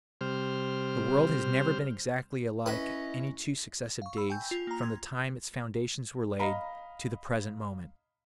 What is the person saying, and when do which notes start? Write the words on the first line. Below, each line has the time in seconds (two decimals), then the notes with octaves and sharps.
The world has never been exactly alike any two successive days from the time its foundations were laid to the present moment.
0.21 C3 G3 C5 F6
2.66 C#4 E4 B4 D#5
4.02 F5 C#6
4.17 B5 E6
4.30 G5 G#5 G6
4.51 F4
4.67 A#3 A#5
4.83 C6 G#6
6.39 D#5 F5 A#5 B5